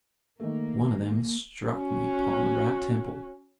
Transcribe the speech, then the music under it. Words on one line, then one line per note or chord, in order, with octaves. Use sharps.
One of them struck me upon the right temple.
D#3 A3 A#3
C#4 F#4